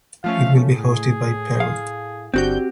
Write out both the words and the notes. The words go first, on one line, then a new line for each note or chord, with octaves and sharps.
It will be hosted by Peru.
F3 A3 C#4 F5
A2 G#4
F5
G1 D3 C4 F#4 G4 G6